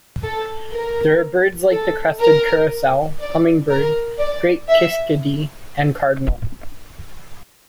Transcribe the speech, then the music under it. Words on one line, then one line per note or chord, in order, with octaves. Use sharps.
There are birds like the crested curassow, hummingbird, great kiskadee and cardinal.
A4
A#4
A4
A#4
D5
A#4
D5
E5